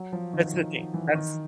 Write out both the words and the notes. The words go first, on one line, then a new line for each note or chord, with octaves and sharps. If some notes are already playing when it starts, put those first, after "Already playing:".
That's the thing, that's
Already playing: F#3
F3
D#3
D#3
E3
D#3